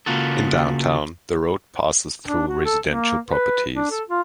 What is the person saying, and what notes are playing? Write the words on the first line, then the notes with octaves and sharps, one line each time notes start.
In downtown the road passes through residential properties.
C#3 E3 A#3 F4 F#4 A4
D4
F#4
A4
A#3
B4
D4
A4
F4